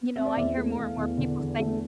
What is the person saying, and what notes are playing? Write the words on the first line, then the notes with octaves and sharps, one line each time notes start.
You know, I hear more and more people saying
C4 E5
D5
E2 E5
A3
E2 F5
E2
D3
E2
A3